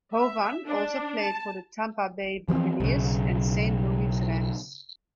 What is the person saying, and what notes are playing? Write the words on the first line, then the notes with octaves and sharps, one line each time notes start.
Hovan also played for the Tampa Bay Buccaneers and Saint Louis Rams.
E5
D4
A5
E3 F3 G#3 C4
B1 C#3